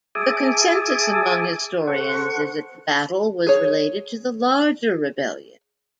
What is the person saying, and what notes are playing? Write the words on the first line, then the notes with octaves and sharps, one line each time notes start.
The consensus among historians is that the battle was related to the larger rebellion.
G#4 E5 G#5 A5 D6 D#6
A4 C5 F#5 C#6
G#4 C#5